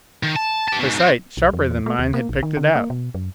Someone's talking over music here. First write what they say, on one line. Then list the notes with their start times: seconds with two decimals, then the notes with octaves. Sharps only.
Her sight, sharper than mine, had picked it out.
0.23 D#3
0.36 A5
0.68 G4 A5
0.79 G#2 B2
0.99 C4 F#4
1.37 B1
1.53 F2
1.71 E2
1.86 A3
1.99 D#2
2.14 A#3
2.29 A#1
2.43 D#3
2.57 D3
2.75 A#3
2.90 B2
3.15 F#2